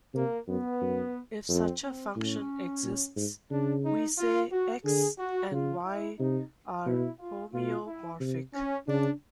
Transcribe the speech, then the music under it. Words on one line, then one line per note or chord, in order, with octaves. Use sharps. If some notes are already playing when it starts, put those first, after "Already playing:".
If such a function exists, we say "X" and "Y" are homeomorphic.
C3 A#3
F#2 B3
F#2
F2 C4
C4
A2 C#4
A#2
G#2
C#3 D4
D#4
F4
F#4
D3 G#4
F#4
C#3 F4
E4
C3 D#4
B2 E4
F4
B2 F4
E4
C3
C#4
C#3 D4